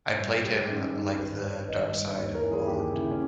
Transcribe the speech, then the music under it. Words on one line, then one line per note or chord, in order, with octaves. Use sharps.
I played him like the dark side of Bond.
G2 C#5
B4
G2 G4
G#4
D#3 C#4
C#4
G2 D#4
G#1 B4
G#1 C#5
G#1 D#5
G2
B4
D#2 C#5
A#4
E3
G#4
D#2 G4
C#3 E4
C#4